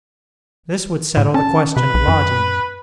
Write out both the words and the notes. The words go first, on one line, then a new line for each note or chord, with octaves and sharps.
This would settle the question of lodging.
A2
C#4 A5
C3 B4
B1
F#2